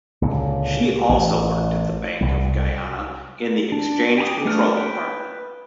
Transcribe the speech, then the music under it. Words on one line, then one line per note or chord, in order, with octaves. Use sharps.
She also worked at the Bank of Guyana in the Exchange Control Department.
C#2 A#2 D3
A1
C2 G3
D4
G5 G#5 A#5 D6 D#6
A3 D4 B4 F#5 F6
B4 G5